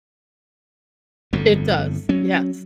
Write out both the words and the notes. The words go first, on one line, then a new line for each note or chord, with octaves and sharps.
It does, yes.
G1 F2 A2
F#3 C#4